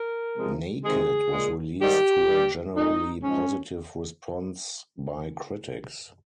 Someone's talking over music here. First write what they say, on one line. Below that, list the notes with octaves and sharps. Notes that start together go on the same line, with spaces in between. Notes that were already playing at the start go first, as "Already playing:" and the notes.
"Naked" was released to a generally positive response by critics.
Already playing: A#4
C3 F3 G#3
C3 D#3 G#3 G#4
A#2 G#3
G#2 D#3 G3 G4
G2 G3
A#2 G#3 D#4
G#2 F3 G#3 C#4